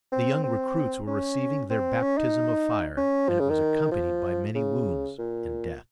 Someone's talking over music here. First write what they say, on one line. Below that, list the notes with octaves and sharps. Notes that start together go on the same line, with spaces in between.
The young recruits were receiving their baptism of fire and it was accompanied by many wounds and death.
C4
C4
C#4
C4
C#4
D#4
C#4
F3
C#3
D#3
F3
C#3
A#2